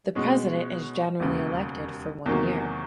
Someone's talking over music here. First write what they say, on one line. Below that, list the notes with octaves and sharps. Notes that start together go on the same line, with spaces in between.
The president is generally elected for one year.
B2 G#3 C#4
E1 D#2 C#3
E2 C3 D#3 F#3 A#3